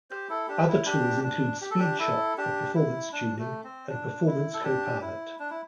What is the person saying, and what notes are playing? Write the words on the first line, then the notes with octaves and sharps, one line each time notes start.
Other tools include Speedshop for performance tuning, and Performance Co-Pilot.
G4 C5
E4 A4
D4 G4
E4
D4 G4
D4
G4
A4
D4 G4
E4 A4
D4 G4
E4
D4
A3
C4
D4
E4
A4
D4 G4
E4
D4
E4